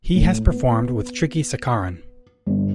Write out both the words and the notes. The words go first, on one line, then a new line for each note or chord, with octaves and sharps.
He has performed with Trichy Sankaran.
A2
B3
G1